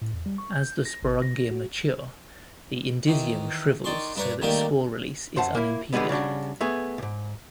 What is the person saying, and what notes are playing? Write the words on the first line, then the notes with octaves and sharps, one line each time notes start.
As the sporongia mature, the indusium shrivels so that spore release is unimpeded.
A2
E2
G3
C#6
G6
A#6
G#1
A#6
F#4
D#3 E3
D#3 D5 C6 C#6
G2 D4 B4 A#5 C#6
D#3 G3 A3 A#3 G4 A#4
F#2 C5 F#5 A5
A#3 E4
D3 F3 G3 G#3 B3
C#3 G3 D4 F#4
A3 B3 G#4
B1 G#2